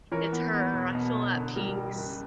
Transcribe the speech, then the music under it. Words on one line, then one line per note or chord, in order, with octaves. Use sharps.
it's her. I feel at peace."
E3 A#4 C#5
B3
B3
E1
B2
E1
D3
G3 A#4
G3
F#1